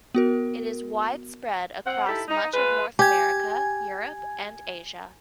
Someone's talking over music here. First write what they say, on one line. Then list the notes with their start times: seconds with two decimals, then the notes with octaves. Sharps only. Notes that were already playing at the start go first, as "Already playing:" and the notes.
It is widespread across much of North America, Europe and Asia.
0.15 B3 F#4 A#4
1.85 C4 F#5
2.07 D#4 E4 G4 A4
2.28 D#4
2.52 G#3 F4 B4
2.99 G4 G#5 G#6